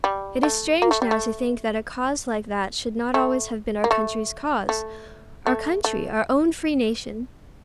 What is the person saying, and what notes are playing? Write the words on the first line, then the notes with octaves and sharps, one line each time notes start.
It is strange now to think that a cause like that should not always have been our country's cause,--our country,--our own free nation!
G3
A3
A#3
A3
G3
A3
A3
A#3
A3
A3
A3
A3